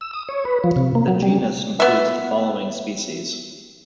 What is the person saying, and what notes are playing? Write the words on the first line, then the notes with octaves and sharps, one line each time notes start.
The genus includes the following species.
E6
D#6
C#5
B4
F3
C3
A#3
F#3
G3
B3 E5